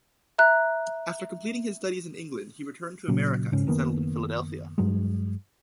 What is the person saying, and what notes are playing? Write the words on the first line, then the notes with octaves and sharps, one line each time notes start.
After completing his studies in England he returned to America and settled in Philadelphia.
E5 A#5 F#6
A#2 C#3 F#3
G#2 C#3 C#4
F#1 D#3 A#3 B3
G2 F#3 G#3